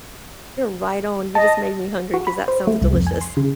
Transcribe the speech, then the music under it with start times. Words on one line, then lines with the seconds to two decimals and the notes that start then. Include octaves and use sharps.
You're right on, you just made me hungry, 'cause that sounds delicious.
1.35 D#5 A5
2.14 F#4
2.27 B5
2.48 C5
2.67 A3
2.81 C2
2.93 F2
3.07 G#5
3.21 C6
3.37 C#3